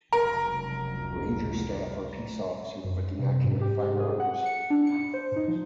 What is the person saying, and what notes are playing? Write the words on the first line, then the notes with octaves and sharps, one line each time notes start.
Ranger staff are peace officers but do not carry firearms.
F1 C#2 F#3 A#4 A#5
F#2
C3
G#2
G4
G#4
F#5
C#7
D4
C#7
C5
D#4
F3